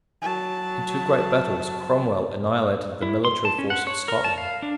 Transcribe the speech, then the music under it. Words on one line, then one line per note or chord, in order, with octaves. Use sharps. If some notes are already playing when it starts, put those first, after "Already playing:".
In two great battles Cromwell annihilated the military force of Scotland.
F#3 A5
E4
C6
A5
C#4
F#5
C#5
A#4
A5
F5
D4